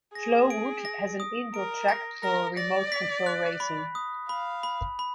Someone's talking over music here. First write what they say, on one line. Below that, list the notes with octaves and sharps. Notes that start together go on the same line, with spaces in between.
Flowood has an indoor track for remote control racing.
G#4 A#6
D7
A#6
D#6
A#4 D7
A#6
A#4 A#6
D5 A#6
B6
F#6
B5
D#6
F5 B5
B5
B5